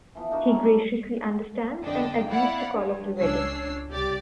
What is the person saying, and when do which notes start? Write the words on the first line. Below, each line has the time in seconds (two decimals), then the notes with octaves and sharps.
He graciously understands and agrees to call off the wedding.
0.15 E3 F3 B3
0.31 D4 D#4 F#4 A#4
0.48 C#4
0.63 A4 C#5 D5
1.82 F2 D3 D4 D#5 G5
2.29 E4 D5 F5 F#5 B5
2.72 G2
3.19 C#2 C#4 D4 C#5 E6 C7
3.90 C2 G4 D5 A6